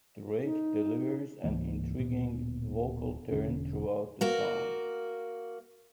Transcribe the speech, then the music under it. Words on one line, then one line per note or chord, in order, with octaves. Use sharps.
Drake delivers an "intriguing" vocal turn throughout the song.
D#4
C#2 G#2 E3 A#3
D1 A#2 B3
E1 D3 C#4
A#3 F#4